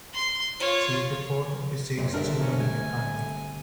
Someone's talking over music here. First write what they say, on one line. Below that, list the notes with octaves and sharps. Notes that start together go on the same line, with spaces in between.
She is the fourth of the six children in her family.
C6
F4 C#5
F#1 A#2 C4
G1 C4 D4 A#4 E5
C#4
A3 G#5